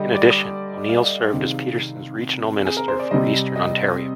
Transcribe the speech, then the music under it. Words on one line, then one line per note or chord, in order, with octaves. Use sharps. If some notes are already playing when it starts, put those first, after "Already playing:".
In addition, O'Neil served as Peterson's regional minister for eastern Ontario.
Already playing: D3 G3 D#5
D5
F5
C3 D#3 G#3
G#4
A#4
C5
D5
C3 G3 D#5
D#5